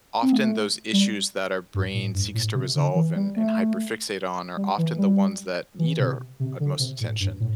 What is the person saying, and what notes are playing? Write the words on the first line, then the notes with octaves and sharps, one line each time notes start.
often those issues that our brain seeks to resolve and and hyperfixate on are often the ones that need our utmost attention.
C4
A3
G3
G2
A2
G2
A2
C3
D3
E3
G3
A3
G3
E3
G3
E3
C3
C3
D3
C3
A2
G2
A2